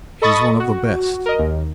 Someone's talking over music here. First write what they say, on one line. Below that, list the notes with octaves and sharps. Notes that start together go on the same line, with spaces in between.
"He's one of the best!"
A4 D#5 B5 C#6 D#6 A6
F#4
A#4 D#5
D#2